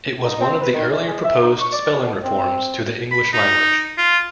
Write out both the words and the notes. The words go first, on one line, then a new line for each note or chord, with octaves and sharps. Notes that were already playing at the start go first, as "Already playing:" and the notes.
It was one of the earlier proposed spelling reforms to the English language.
D#4
C4
B4
D#3
E2
G#3
E5
D#4
C#6
D5
B2
C4
B5
D#4
F4